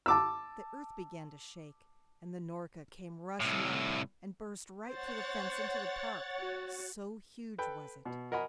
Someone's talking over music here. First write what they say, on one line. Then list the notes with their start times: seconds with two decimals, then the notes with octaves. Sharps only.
The earth began to shake, and the Norka came rushing up, and burst right through the fence into the park, so huge was it.
0.06 A5 D6 E6
3.40 C2 A2
4.88 C5 C#5 F#5 A6
6.39 F#4
7.58 A4 B4 G5
8.05 B2
8.31 F#4 A#4 D#5 F#5 G#5 B5